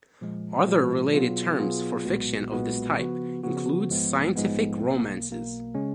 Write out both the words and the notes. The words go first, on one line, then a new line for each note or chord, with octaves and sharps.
Other related terms for fiction of this type include scientific romances.
A#2 F3 G#3
A#2 F3 G#3
B2 F#3 B3 F4 G#4
B2 F#3 B3 F4 G#4
B1 A#2 G#3 B3 F#4
B1 A#2 G#3 B3 F#4
C#3 F3 B3 F#4
C#3 F3 B3 F#4
A#1 G#2 F3 G#3 B3
A#1 G#2 F3 G#3 B3
B1 B2 A#3
B1 B2 A#3
C#3 G#3 C#4